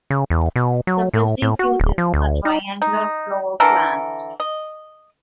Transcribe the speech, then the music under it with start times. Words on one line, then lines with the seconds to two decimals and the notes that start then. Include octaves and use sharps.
The building uses a triangular floor plan.
0.10 C#3
0.30 E2
0.56 B2
0.87 F#3
1.14 A2
1.42 A2
1.59 F#4
1.80 D1
1.98 F3
2.14 D2
2.45 D#4
2.82 D#4
3.60 D3 E3 A4 A#4
4.40 D#5